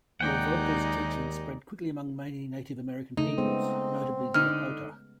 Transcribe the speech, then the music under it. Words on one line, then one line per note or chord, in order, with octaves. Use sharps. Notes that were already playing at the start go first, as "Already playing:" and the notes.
Wovoka's teachings spread quickly among many Native American peoples, notably the Lakota.
D#2 G#3 D#4 D5 F#5 G5
C#3 A3 D#4
G#3 B3 C4
D3 D#4 F6